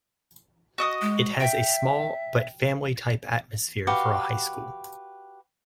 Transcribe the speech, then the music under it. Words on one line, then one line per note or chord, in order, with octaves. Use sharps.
It has a small, but family type atmosphere for a high school.
F#4 D#5 D#6
G#3
E5 G5
F#4 G4 B4 F5